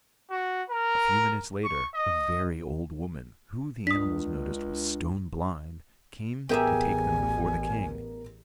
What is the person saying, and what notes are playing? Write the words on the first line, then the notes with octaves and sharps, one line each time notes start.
A few minutes later, a very old woman, who, the animals noticed, was stone-blind, came to take them before the king.
F#4
A#4
C#6
D#5
C#2 D4 D#6 B6
A1 B3 G4 G#4 A#4 E5 G#5 A#5